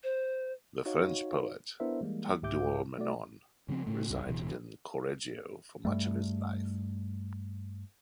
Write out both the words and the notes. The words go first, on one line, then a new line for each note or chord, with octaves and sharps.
The French poet Tugdual Menon resided in Correggio for much of his life.
C5
D#4 F#4 C#5 F5
B3 D4 E4 A#4 C5 E5
E3 G3 G#3 A#3
C2 G#2 G4 E5 D6 G6
A3 F#4 D5
C#3 F3 A3 C4
A2 C#3 A3
C#2 G2
D1 B2 E3
G2 G3 A3